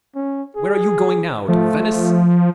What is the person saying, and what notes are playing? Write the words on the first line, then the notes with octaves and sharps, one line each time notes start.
Where are you going now--to Venice?
C#4
G#4
F3 A3